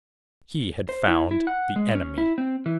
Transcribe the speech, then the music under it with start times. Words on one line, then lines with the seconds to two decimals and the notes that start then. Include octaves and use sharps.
He had found the enemy.
0.89 C5
1.08 E4
1.31 E4
1.47 F#5
1.76 G#3
1.95 C#4
2.18 E4
2.38 C4
2.66 E3